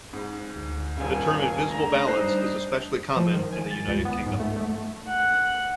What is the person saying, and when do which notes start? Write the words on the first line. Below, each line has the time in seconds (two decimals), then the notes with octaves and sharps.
The term 'invisible balance' is especially common in the United Kingdom.
0.13 G#2
0.55 D2
0.96 D#1 G2 C#3 F5 G#5
1.69 A3 D4 A#5
2.07 G3 D4 D#4 C5 F#6 C7
3.16 F3
3.34 D#3
3.53 G#5
3.70 A6
3.87 C#2
4.05 B3
4.26 G#2
4.40 A3
4.56 A3
5.07 F#5